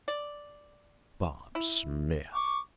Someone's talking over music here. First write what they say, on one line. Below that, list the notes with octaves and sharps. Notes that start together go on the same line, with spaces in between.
Bob Smith!
D5
E4
C#6 D6